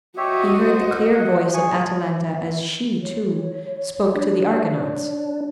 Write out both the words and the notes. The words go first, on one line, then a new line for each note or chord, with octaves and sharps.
He heard the clear voice of Atalanta as she, too, spoke to the Argonauts.
F#4 G4 C#5 D#5 E5
C5
F#5
G#4 G#5 C#6
C#5
D4
C#5